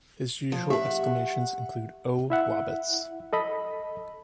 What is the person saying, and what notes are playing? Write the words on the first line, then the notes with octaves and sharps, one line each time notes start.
His usual exclamations include Oh, Globbits!
F3
G4 E5 F#5
E4 E5 F#5
A4 D#5 B5